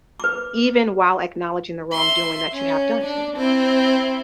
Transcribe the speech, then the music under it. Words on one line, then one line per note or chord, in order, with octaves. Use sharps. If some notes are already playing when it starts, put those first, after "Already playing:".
even while acknowledging the wrongdoing that you have done to me.
B4 D6
E5 C6
C#4
D4
C4 E4